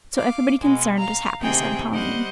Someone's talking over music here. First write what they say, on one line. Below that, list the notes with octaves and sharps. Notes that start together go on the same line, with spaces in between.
"So everybody concerned is happy," said Pauline.
F5 D6
B2 G#3
F5 A#5
D2 C3 D#3 C4 G#4 G5
G3 C5 D#5 F#5